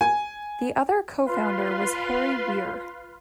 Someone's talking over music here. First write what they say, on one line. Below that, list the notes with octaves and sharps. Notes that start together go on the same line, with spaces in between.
The other co-founder was Harry Weir.
G#5
F4 B4 F5 C6